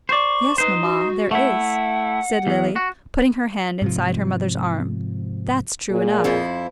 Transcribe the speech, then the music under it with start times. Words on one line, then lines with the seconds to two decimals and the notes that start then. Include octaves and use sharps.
"Yes, mamma, there is," said Lily, putting her hand inside her mother's arm, "that's true enough."
0.09 C5 D5 C#6
0.58 D#4 B4 C5
0.82 F#4
1.31 A3 E4 F#5
2.47 E2
2.76 F#4
3.82 G#2 C3 F3
5.90 A#2 G#4
6.24 F2 F3 E4